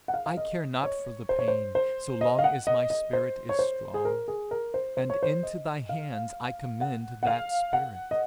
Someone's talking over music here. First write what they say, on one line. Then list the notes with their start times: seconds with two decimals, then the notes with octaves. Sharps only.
I care not for the pain, so long as my spirit is strong, and into thy hands I commend that spirit.
0.08 F#5
0.14 F5
0.26 F5
0.37 D#5
0.83 C#5
1.29 C5
1.39 C#5
1.48 C5
1.75 C5
2.21 D#5
2.39 F5
2.44 F#5
2.67 D#5
2.90 D#5
3.13 C5
3.49 C#5
3.59 C5
3.94 G#4
4.05 A#4
4.28 G#4
4.51 A#4
4.74 C5
4.97 C5
5.10 C#5
5.23 C5
5.43 D#5
5.89 F5
6.81 F#5
7.23 F#5
7.27 F5
7.73 F#5
8.11 D#5